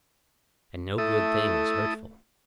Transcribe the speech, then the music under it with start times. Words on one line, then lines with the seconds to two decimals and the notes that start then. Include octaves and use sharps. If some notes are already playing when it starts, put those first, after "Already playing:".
And no good thing is hurtful?
0.98 A3 E4 A4 D#6